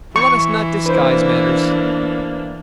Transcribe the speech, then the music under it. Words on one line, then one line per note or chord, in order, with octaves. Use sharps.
Let us not disguise matters.
E3 C#6
A#3 D4 B4 C5